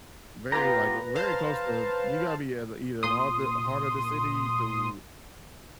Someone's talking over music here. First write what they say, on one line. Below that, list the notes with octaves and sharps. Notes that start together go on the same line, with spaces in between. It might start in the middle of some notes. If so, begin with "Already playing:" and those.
very, like very close to you gotta be at either the heart the heart of the city to
B3 F4 G4 B4 A#5
C5 F5 A5
A#2 C6 D#6